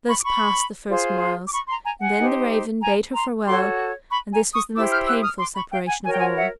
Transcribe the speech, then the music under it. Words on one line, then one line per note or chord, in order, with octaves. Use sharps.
Thus passed the first miles; and then the Raven bade her farewell, and this was the most painful separation of all.
B5 C#6
D6
B5 C#6
F4 G#4 C5
D6
B5 C#6
A#5 C6
G#5 A#5
F#5 G#5
D#4 G4 C5
G#5 A#5
A#5 C6
F#4 A4 C#5 C6 D6
B5 C#6
G#5 A#5
C#6 D#6
E4 G4 C5 D6 E6
F6 G6
E6 F#6
D#6 F6
C6 D6
B5 C#6
F5 G5
F#5 G#5
F#4 A#4 C#5 G#5
G5
F#5 G#5
E5 F#5